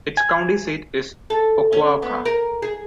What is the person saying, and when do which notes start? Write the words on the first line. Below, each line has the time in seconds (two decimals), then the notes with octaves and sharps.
Its county seat is Oquawka.
0.17 G#5
1.30 A4
1.73 C#4
2.02 B3
2.26 A#4
2.62 G#4